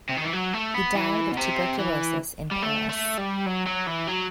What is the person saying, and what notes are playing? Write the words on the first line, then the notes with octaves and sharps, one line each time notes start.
He died of tuberculosis in Paris.
C3
D#3
E3
F#3
A3
B3
E3
B2
C3
E3
G3
A3
A3
G3
F#3
F#3
E3
F#3